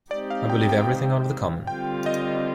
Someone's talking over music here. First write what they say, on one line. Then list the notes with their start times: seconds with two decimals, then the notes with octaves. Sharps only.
I believe everything out of the common.
0.11 G#3 C4 D#4 G4 C5 D5
0.30 F5
0.50 G5
0.69 G5
1.67 D3 G3 C4 F4 G5
2.06 D#5